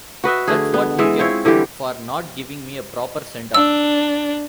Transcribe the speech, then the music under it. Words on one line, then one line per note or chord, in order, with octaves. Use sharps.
That's what you get for not giving me a proper send off.
F#4 B4 D#5 E5
D3 A3 G#4
B3
E3 G#3 E5
C4 E4 F4 C#5
D3 E3 G3 G4
D4 E6